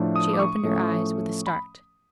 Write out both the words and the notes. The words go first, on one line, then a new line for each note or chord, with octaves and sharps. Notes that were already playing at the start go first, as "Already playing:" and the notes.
She opened her eyes with a start.
Already playing: A2 F3 A3 D4
D#6
D6
C#6
A2 F3 A3 C#4
B5